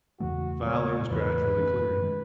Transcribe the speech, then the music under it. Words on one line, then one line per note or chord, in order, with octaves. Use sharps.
The valley is gradually clearing.
E2 C#3 E3 A3 F#4
C#3 G#3 B3 C#5
E2 C#3 E3 B4
F#2 E3 A3 C#4
D#3 G#3